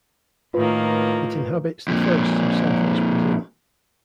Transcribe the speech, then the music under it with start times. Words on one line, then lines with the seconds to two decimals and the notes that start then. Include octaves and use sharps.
It inhabits the forests of south-east Brazil.
0.54 A2 D#3 A#3 F4 B4
1.88 F2 A#2